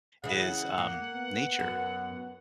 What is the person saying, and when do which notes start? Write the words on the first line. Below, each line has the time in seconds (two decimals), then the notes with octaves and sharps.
is, um, nature.
0.24 C#3 E3 F#5
0.78 A#3
1.14 B3
1.59 F#2